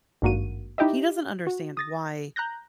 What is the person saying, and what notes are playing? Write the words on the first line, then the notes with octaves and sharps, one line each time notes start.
He doesn't understand why
G#1 G2 A#3 F#4 D#7
D#4 E4 G4 D#5 E5
F#4
D#6 A6 A#6
A#5 F#6 G6 A#6